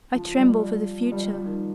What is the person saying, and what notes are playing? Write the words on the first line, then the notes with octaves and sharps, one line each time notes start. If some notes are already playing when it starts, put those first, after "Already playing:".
I tremble for the future.
F3
G3
G3
F3
G3
G3
F3
D#3